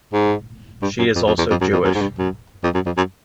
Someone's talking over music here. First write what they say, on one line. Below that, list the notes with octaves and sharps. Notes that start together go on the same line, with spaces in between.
She is also Jewish.
G#2
G2
F#2
F2
F2
E2
F2
F#2
F2
F#2
G#2
G2
F#2
F2
F#2
F2
F#2